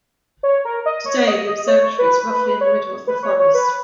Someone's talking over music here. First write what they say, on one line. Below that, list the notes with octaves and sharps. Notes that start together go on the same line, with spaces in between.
Today, the observatory is roughly in the middle of the forest.
C#5
A#4
D#5
C#5
D#5
D#5
C#5
B4
B4
C#5
B4
C#5
C#5
B4